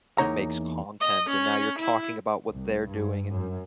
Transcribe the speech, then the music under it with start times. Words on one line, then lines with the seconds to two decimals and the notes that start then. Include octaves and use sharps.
makes content, and now you're talking about what they're doing, and
0.18 E2 F#3 A#3 D#4 C#5 A#5
1.01 D#5
1.30 C#4
1.79 E4
2.49 C2
2.84 G2
3.34 F#2